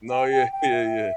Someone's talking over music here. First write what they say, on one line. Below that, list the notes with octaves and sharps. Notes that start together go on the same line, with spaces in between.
No, yeah, yeah, yeah.
G5
G5
G5
E5